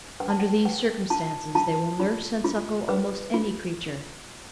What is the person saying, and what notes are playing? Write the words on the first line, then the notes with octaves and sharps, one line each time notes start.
Under these circumstances, they will nurse and suckle almost any creature.
B4 G5
A5
G5
B4 G5
F4 A5
F4 A5
F4
F4
B4
F4